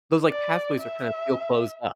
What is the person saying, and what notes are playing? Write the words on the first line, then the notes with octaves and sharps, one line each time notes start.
Those, like, pathways are kinda feel closed up.
D5
E5